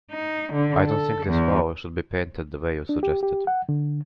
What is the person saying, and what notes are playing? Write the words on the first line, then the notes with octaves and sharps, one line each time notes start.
I don't think this wall should be painted the way you suggested.
D#4
D3
A4
E2
D4
G4
G4
F#5
D3